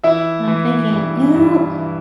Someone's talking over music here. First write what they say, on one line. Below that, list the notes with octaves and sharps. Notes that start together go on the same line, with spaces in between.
and I'm thinking, "Ew!"
E3 E4 E5
E3
G2
G2
E3